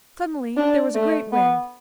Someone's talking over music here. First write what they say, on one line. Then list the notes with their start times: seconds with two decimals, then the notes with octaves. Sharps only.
Suddenly there was a great wind.
0.57 D4
0.95 A3
1.32 B3